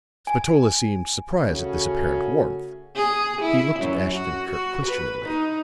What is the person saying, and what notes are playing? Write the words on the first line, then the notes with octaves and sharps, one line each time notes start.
Spatola seemed surprised at this apparent warmth; he looked at Ashton-Kirk questioningly.
G#5
C#3 A3 C#4 F#4
G#4
E4
F#2
F#4
F#4
B4
D#4